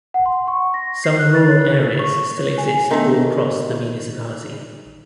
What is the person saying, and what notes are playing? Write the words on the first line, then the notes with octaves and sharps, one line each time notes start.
Some rural areas still exist all across the municipality.
F#5
C6
C#6
A#6
C7
F#6
A6
C#5
C#6
C#5
G#5
D#3 A3 B3 D4 A#5